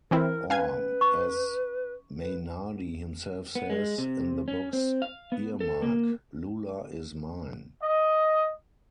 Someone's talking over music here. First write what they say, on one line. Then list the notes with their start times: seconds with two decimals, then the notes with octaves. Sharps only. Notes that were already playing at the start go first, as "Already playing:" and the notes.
Or, as Mainardi himself says in the book's earmark, Lula is mine.
0.11 E3 C4 E4 A#4
0.50 C#4 B4 F5 G#5 G#6
1.01 C#6
2.20 B4
3.55 B3
3.70 G#3
3.98 C3
4.48 C#4
4.73 C4
5.02 F5
5.32 B3
5.60 A4
5.82 A#3
7.82 D#5